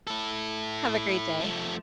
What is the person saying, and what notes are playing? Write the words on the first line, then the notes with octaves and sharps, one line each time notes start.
Have a great day.
E4 A4
F3 A3